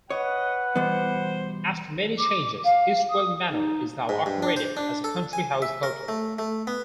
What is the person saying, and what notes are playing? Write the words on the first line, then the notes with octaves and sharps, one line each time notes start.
After many changes, Eastwell Manor is now operated as a country house hotel.
B4 C#5 D#5 F#5
B2 E3 G3 B3 C5
D6
F5
D#6
D#4
G#2
G2
D4
C5
D4
A4
G#5
E5
A#4
A3
A3
B3